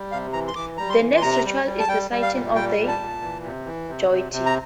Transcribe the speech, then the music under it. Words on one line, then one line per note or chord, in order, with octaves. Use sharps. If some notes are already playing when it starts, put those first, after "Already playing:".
The next ritual is the sighting of the jyoti.
Already playing: G3
C3 F5
E3 A#5
C6
E3 D6
G3 A#5
C6
E3
C6
C3 A#5
G3
G3
A5
G3 G5
G3
F5
A#2
G3 G5
A#2
A5
A#2
E3
C3
E3
C3
C3
C3
A#5